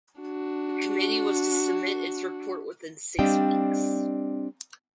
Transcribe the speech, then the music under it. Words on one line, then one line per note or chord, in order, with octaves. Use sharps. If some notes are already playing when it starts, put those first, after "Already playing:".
The committee was to submit its report within six weeks.
D4 F#4
G3 C4 D4 D#5 F5 G5